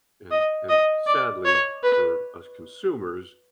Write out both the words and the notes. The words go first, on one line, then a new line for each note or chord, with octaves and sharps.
And and, sadly, for us consumers,
D#5
D#5
D5
C#5
B4